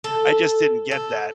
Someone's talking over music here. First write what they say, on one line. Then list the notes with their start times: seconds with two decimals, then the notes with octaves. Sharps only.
I just didn't get that,
0.04 A4
0.91 A4